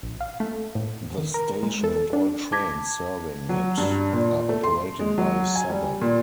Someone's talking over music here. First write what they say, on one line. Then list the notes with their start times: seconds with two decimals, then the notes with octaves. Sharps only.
The station and all trains serving it are operated by Southern.
0.03 A#1
0.21 F5
0.40 A3
0.75 A2
1.18 D#3
1.34 A#4
1.63 G#3
1.84 A4
2.13 D4
2.52 A5 D6 G#6 A#6 B6
3.49 F#3
3.78 G2
4.13 A#2
4.49 A3
4.64 C6
5.00 G#3
5.18 F#3
5.56 G#5
5.70 G3
6.01 A#2